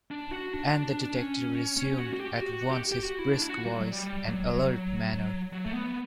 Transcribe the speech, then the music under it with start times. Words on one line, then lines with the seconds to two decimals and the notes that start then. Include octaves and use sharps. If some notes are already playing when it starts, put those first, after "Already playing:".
And the detective resumed at once his brisk voice and alert manner.
0.11 D4
0.32 F#4
0.53 D4
1.03 D4
1.15 C#4
1.77 C#4
1.98 F#4
2.13 F#4
2.19 G4
2.40 F#4
2.71 G4
2.92 G4
3.03 F#4
3.19 E4
3.34 D4
3.42 E4
3.49 F#4
3.65 G3
3.79 F#3
3.92 G3
4.28 F#3
5.53 F#3
5.64 A3
5.73 B3